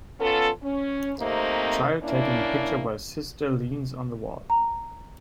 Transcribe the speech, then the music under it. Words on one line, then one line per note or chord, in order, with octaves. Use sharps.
Child taking a picture while sister leans on the wall.
B3 C#4 F4 A4
C#4
C3 A3 A#3 C4 D#4
A#3 C#4 D4 E4
A#5